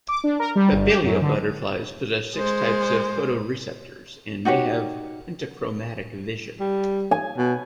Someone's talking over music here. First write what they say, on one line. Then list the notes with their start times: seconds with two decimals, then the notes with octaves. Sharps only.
Papilio butterflies possess six types of photoreceptors and may have pentachromatic vision.
0.08 D6
0.24 D4
0.39 A#4
0.56 G3
0.71 G1
0.89 G4
1.04 F#2
1.22 D3
2.36 G#3 C5
4.45 D#4 F#4 G4 C#5
6.60 G3
7.11 G#5
7.38 B2